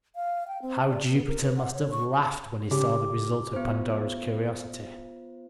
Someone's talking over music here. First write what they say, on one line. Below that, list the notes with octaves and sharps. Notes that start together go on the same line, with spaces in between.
How Jupiter must have laughed when he saw the result of Pandora's curiosity!
F5
G5
C4
D5
B3
A#4
B4
F#5
C#5
C#6
C#3 G4 D6
B3 F4 C5